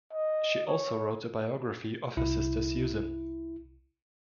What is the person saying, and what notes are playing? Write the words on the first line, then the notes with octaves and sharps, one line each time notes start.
She also wrote a biography of her sister Susan.
D#5
C#5
C2 E4